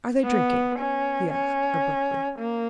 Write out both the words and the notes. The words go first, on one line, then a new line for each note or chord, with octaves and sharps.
"Are they drinking?" he asked abruptly.
B3
C#4
C#4
A#3